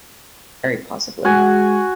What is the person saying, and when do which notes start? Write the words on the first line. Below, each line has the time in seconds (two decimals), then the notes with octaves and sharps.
Very possibly.
1.25 G#3 F#4 F#5 G#5